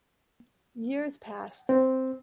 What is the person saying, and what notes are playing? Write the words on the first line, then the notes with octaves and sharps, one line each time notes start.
Years passed.
C4